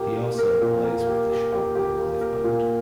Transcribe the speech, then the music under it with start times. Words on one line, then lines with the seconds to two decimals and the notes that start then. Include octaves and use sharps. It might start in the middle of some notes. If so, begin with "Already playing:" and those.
He also plays with the Shpongle Live Band.
Already playing: A#2 A#3 G4
0.16 A#3
0.38 A#4
0.61 A#2
0.84 A#3
1.07 G4
1.30 G4
1.53 G4
1.75 G4
1.98 A#3
2.21 A#4
2.44 A#2